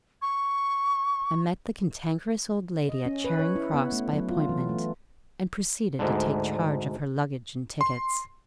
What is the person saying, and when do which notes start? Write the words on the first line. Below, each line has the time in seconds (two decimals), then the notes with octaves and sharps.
I met the Cantankerous Old Lady at Charing Cross, by appointment, and proceeded to take charge of her luggage and tickets.
0.21 C#6
2.89 D#5
3.06 C#4
3.25 B4
3.39 C#5
3.56 E4
3.74 B3
3.92 A3
4.13 F#3
4.29 F4
4.49 E3
4.69 A3
5.99 D2 G#2 D3
7.81 C6